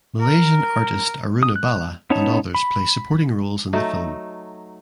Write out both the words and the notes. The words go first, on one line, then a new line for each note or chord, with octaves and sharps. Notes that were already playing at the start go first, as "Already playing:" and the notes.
Malaysian artist Aruna Bala and others play supporting roles in the film.
A#4
D#6
F#6
B3 C#4 D#4 C#5 A5
B5
F#3 A3 D#4